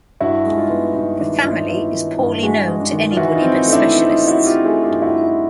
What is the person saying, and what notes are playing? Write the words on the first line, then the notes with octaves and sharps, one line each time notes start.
The family is poorly known to anybody but specialists.
G2 E4 F#4
G#3
D#4 F4
B3
G2 D#4 F4
D#3 D4 E4
G2 D#4 F4
E4
F4
B3 E4 F#4
D#3
G2
G#3 F#4 G#4
G#3
D4
D#3
F4
E3 E4 F#4
D#4 F4
C4
D#4
A3
D4 E4
C4 D#4
D#4 F4
C4
E4 F#4
C4
F4 G4
A3 F#4 G#4
F4 G4
G2
E4 F#4
A3
D#4 F4